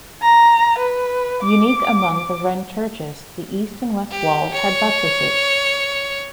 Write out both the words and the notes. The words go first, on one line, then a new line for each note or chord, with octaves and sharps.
Unique among the Wren churches, the east and west walls had buttresses.
A#5
B4
D6
G4
C#5